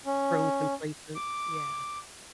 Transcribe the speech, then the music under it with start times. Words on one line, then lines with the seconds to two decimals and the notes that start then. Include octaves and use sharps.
Grown complacent, yeah.
0.06 C#4
1.15 D6